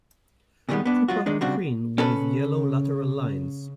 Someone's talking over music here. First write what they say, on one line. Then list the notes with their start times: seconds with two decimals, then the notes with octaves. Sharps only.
Pupa green, with yellow lateral lines.
0.69 A#2 D3 D#3 G3 G#3 B3
0.85 B3 D4
1.08 F#3 F4 F#4
1.26 D#3 G#3 D4 D#4
1.41 C#3 G3 C4 D4 F#4
1.98 C#3 C#4 A4 B4